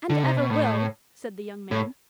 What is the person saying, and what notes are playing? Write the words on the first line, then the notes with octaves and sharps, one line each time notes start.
'And ever will!' said the young man.
D3
C3
B2
A2
A2